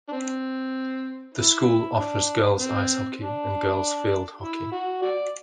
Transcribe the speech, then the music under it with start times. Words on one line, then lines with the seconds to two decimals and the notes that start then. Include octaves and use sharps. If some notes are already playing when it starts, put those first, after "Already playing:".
The school offers girls' ice hockey and girls' field hockey.
0.08 D4
0.12 C4
1.34 E4
1.96 D4
2.58 C4
3.19 D4
4.41 E4
4.71 F#4
5.02 F#4 D5